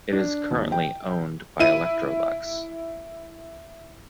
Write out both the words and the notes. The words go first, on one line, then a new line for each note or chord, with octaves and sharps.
It is currently owned by Electrolux.
D4
D#2
G5
E4 D#7